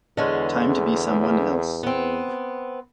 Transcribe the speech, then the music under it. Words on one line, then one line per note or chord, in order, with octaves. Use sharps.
Time to be someone else.
E2 D3 G#3 C#4
B3 C4